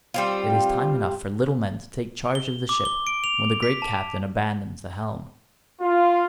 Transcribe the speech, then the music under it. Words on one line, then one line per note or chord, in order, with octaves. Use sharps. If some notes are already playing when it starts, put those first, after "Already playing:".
It is time enough for little men to take charge of the Ship when the great Captain abandons the helm.
G3 C4 F4
G7
D6
G7
D7
F7
B6
A5
F4